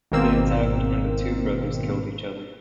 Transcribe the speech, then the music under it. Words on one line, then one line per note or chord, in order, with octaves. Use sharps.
They attacked and the two brothers killed each other.
G#1 B2 D#3 A#3 C4 E6